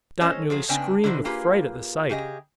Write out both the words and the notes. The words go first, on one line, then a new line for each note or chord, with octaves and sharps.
Dot nearly screamed with fright at the sight.
G3 C#4 A4 C5 C#5 D#5
F3 F#3 G#4
C#3 B3 C4 D4 G5 G#5
D3 D#3 E4 F#4 A#4 C5
A#3 F4 G4 G#4 B4
C#3 G4 G#4 D#5